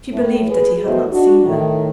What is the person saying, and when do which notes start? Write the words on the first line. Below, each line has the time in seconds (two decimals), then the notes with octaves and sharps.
She believed that he had not seen her.
0.12 A2
0.47 G#4 B4
0.84 E2 A2 B3 F#4 C5 D#5
1.12 D4 F#4
1.46 A2 D#3